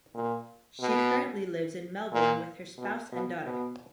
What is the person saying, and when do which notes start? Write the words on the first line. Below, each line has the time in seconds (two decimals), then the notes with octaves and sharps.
She currently lives in Melbourne with her spouse and daughter.
0.15 A#2
0.80 B2
2.12 A#2
2.78 B2
3.12 B2
3.45 B2